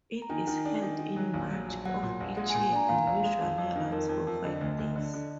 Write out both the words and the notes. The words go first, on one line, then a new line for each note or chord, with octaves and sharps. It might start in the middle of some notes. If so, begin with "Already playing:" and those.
It is held in March of each year and usually runs for five days.
A#5
D#3 G#5
D#3
D4
D#3
D#3
F#3
A#1
F#3
A#1
F#3 F#5
A#2
A#1
G#3 F#5
G#5
A#2
G#5
D4 A#5
A#2 F5
A#1
G#3
F2
F2
D#3
F2 A#4
F2
F2
D3 D#5
D2
D2
D3 D#5
D3